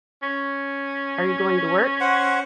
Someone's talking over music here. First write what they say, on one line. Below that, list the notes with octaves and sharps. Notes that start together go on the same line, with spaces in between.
Are you going to work?
C#4
C5 F#5